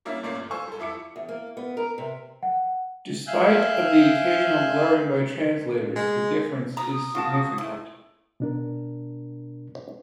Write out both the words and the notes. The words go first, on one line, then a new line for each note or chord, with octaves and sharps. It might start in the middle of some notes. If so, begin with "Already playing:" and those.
Despite of the occasional blurring by translators, the difference is significant.
G3 A#3 C#4 D4 E4
A#2 A3 A#3 C#4 D5 C7
G1
A4 C5 F5 G#5 C#6 E6
G3 A4
F2 E4 D6 C#7
E2
A#3
B3
A#4
C3
F#5
E5 F5 G#5 F#6 G6
G#3
A#5 D#6
F3 A#3 F4 F#4 A5
F2 G#2 A3 E4
B2 D4 A#4